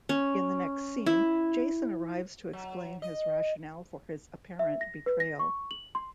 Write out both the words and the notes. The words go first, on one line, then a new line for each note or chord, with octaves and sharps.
In the next scene Jason arrives to explain his rationale for his apparent betrayal.
C#4
E4
F#3
D#5
E5
A#6
B4
A#6
C#6
F#7
C6